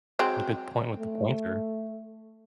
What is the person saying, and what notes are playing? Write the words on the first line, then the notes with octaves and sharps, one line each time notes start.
Good point with the pointer.
F#3 G#3 C4
A3